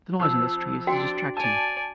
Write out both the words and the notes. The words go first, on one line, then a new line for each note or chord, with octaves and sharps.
The noise in the streets is distracting.
F2 E6
D4 F#4 D5 G5 C6
D5 G#5 A5